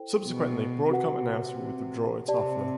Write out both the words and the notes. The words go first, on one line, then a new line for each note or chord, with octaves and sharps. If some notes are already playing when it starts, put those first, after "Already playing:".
Subsequently, Broadcom announced it would withdraw its offer.
Already playing: E4 A4 C5 G5
B2
C3 F#4 B4 F#5
C3 G4 D5 A5